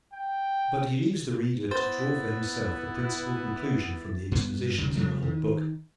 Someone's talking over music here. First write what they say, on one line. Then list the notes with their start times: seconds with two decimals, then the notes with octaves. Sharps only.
But he leaves the reader to draw for himself the principal conclusion from the expositions in the whole book.
0.14 G5
1.71 B3 E4 C5 A6
4.32 G2 B3
4.78 E1 D2 C#3 G3
4.96 C3 F3 G3 A3
5.22 D#3